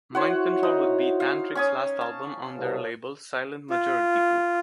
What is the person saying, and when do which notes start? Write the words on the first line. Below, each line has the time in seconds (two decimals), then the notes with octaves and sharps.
"Mind Control" would be Tantric's last album on their label Silent Majority Group.
0.15 E4 F#4 C5 C#5 F#5
0.63 D#4
1.20 F5
1.55 C#4 G#5 D#6
2.01 A5
2.57 C2
3.70 F4